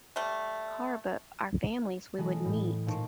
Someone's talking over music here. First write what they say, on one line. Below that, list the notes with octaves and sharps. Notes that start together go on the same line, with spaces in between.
car, but our families, we would meet
G3 A3
B1 E3 G#3 A4 F#5 D#6
A2
A#2 D#4 C5 A5 C#6 D7